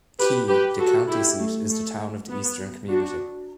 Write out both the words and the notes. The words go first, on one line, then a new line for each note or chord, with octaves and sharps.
Key, the county seat is the town of the eastern community.
G4 B4
G4 B4
F#4 A4
E4 G4
A3
A3
B3
D4 F#4